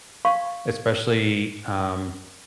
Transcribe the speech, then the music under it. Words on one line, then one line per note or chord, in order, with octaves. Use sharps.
especially, um,
D5 F5 C#6